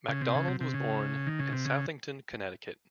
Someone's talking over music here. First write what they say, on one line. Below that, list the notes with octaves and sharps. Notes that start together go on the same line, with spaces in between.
MacDonald was born in Southington, Connecticut.
C#3
C3
C#3
C3
C3
C#3
D#3
C#3
C3
C#3